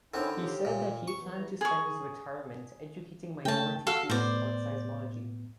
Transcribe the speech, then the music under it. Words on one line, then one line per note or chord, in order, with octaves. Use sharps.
He said that he planned to spend his retirement educating minority students about seismology.
D3 D#3 C4 C#4 E4
C#3 G4
A#2
E2 C#6
E2 E3 A#5
G#4 C#6
C#3 A3 C#4 G5 A5
F#4 A4 F5
A2 B3 C5 D5